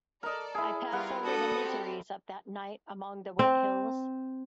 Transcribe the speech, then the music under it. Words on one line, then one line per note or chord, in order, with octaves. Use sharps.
I pass over the miseries of that night among the wet hills.
A4 A#4 D5 D#5
E4 G#4
G3 B3 F4 A#4 F#5
D4 F#4 A4 D#6
C4 G4
C4